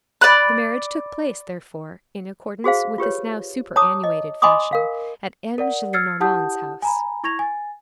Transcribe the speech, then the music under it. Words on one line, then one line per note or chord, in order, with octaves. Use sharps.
The marriage took place, therefore, in accordance with this now superannuated fashion, at M. Gillenormand's house.
D5 B5 F#6
F#4 G#4 C5 F5
F4 G4 B4 C#5
C#5 A5 A#5 D6 D#6
D#5
D#5 G#5 B5 C6 D6 D#6
A#4 F5
A#4 D5 F#5
E6 F6 G#6 A6 C7 C#7
E4 G4 F#5 A5 D#6 G6
G#5 A#5 B5
E4 C#6 G#6 A#6 F7
G#5 A6